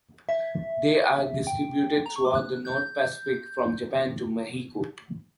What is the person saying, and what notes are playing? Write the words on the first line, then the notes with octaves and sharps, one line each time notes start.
They are distributed throughout the North Pacific, from Japan to Mexico.
E5
G5
A#5
C#6
D6
F#6
G6